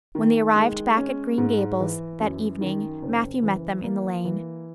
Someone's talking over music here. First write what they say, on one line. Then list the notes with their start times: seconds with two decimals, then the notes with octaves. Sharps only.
When they arrived back at Green Gables that evening Matthew met them in the lane.
0.15 D#3
0.56 G#3
0.97 C#4
1.38 G#2
1.80 E3
2.20 F#2
2.61 D#3
3.02 F#1
3.43 E3
3.84 A#3
4.25 E3